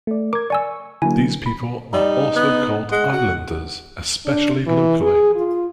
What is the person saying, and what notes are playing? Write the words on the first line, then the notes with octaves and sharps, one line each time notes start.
These people are also called "Islanders", especially locally.
A3 D5
A#4 D6 G#6
D5 G#5 C#6 E6
D3 F#3 A#3 E4 G#5
B5
G3 D#4
B3
G#3 F#5
F#4
D4
E3
G#4
F4